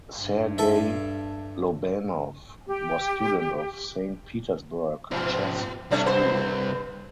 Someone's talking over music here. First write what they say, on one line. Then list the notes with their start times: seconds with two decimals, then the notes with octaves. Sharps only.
Sergei Lobanov was student of Saint Petersburg chess school.
0.18 G2
0.58 A4 E5
2.66 G4
5.11 G#2 B2 F3
5.91 C2 A3 C#4 D4
6.06 G2 B4 C5